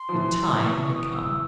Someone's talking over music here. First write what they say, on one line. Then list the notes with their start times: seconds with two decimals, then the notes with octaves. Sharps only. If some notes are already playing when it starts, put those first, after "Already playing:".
The time had come!
Already playing: C6
0.09 F3
0.13 E3
0.54 C#6
0.95 D#6
1.15 E6